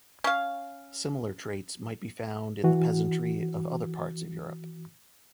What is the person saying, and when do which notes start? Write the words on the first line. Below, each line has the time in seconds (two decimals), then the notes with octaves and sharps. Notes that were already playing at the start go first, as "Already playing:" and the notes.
Similar traits might be found in the peasantry of other parts of Europe.
0.24 C#4 F5
2.64 E3 F#4